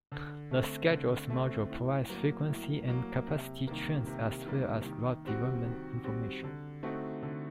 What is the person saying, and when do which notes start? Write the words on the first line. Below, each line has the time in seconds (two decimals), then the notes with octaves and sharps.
The schedules module provides frequency and capacity trends as well as route development information.
0.12 D3
0.51 A3 C4
0.91 D3
1.30 A3 C4
1.70 A2
2.09 F#3 A#3
2.48 A2
2.88 F#3 A#3
3.27 C3
3.67 D#3 G3 A#3
4.07 C3
4.46 D#3 G3 A#3
4.86 D#3
5.25 G3 C4 F#4
5.65 D#3
6.04 G3 C4 F#4
6.44 D3
6.83 A3 C4 D#4 F#4
7.22 D3